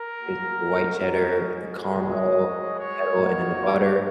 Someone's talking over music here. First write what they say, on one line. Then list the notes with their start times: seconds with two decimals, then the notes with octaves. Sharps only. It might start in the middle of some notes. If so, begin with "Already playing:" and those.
there's, like, the white cheddar, the caramel, the kettle, and then, the butter.
Already playing: A#4
0.21 A#3 F#4
0.94 G#3 D#4 F#4 A#4
1.69 G#3 F#4
2.06 D#5
2.44 G#3 F#4
2.80 C#5
3.18 A#3 D#4 F#4